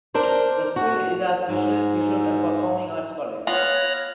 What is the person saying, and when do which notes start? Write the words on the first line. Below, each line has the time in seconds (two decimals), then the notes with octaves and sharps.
The school is a specialist visual and performing Arts College.
0.14 D4 A#4 C5
0.76 F#4
1.49 G#2
3.47 B3 F4 C#5 F6 F#6 A#6